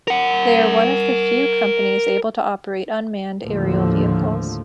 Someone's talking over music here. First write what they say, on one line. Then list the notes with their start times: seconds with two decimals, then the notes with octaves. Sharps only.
They are one of the few companies able to operate unmanned aerial vehicles.
0.08 A#4 F#5
3.44 D#2 A2 D3 F3